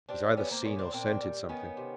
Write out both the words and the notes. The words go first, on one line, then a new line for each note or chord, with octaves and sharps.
He's either seen or scented something.
G3 C4 D4
G3 B3 C#4
A#3 C4
A#2 B3 C#4
C4 D4
A#2 C4 D4
G3
D#3 B3 C#4
C3